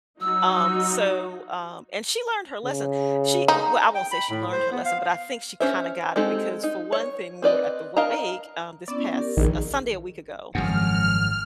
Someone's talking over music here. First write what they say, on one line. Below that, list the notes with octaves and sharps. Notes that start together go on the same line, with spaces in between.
Um, so, um, and she learned her lesson. She eh well, I won't say she learned her lesson, but I think she kinda got it, because for one thing, we were at the wake, um, this past, uh, Sunday a week ago,
F#3 D#4 F#4 E6
C#3
D#4
G5
B5
A2
C5
B3
F5
C#4 C5 E5
G#3 C4 D#4 G4 A4
D#4
C#5
C4 B4 D5 D#5
A#4 D#5 F5 A5 A#5
B3 C#4 E4 D5
G4 A#4
A#1 D#3 G#4
G#1 F#2 F3 G#3 F#5 F6